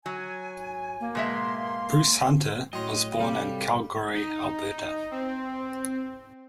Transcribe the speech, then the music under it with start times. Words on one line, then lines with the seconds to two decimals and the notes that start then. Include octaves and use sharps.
Bruce Hunter was born in Calgary, Alberta.
0.06 F#3 G#5
1.00 A#3
1.15 B2 G#3 E5 C6
2.73 A2 F#3 C#4 D#5 G5 C6
3.19 C3 G3 A4 F5
4.14 D#4
5.11 C4